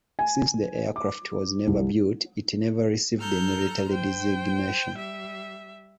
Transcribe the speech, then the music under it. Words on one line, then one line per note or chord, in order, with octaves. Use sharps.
Since the aircraft was never built, it never received a military designation.
G#5
D6
C2
A4 A#5 F6 G6
C5 G5
G3 E5